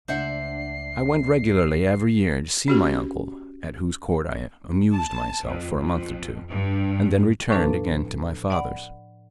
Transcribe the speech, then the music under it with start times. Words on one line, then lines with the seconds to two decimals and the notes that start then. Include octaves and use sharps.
I went regularly every year to see my uncle, at whose court I amused myself for a month or two, and then returned again to my father's.
0.08 C#2 A3 D4 C5 E5 F#5 C7
2.68 C#4 F#4 G4
4.93 A5
5.44 F2
5.77 F2
6.50 G2
7.51 A2 F3 D4 A4 B4 A5
8.50 D5 F#5 B5